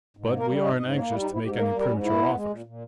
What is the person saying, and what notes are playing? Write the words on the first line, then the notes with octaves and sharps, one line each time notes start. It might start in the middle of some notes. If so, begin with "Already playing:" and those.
But we aren't anxious to make any premature offers.
G#2
A#3
A#4
G3
G#2 D#5
G#2 D#5
A#3 C#5
G3 E4
D#4
G#2
E4
G#2 G4
A#3 A#4
G3
A#4
G#2 C#4
A#2 E4
B3
G#3
A#2
A#2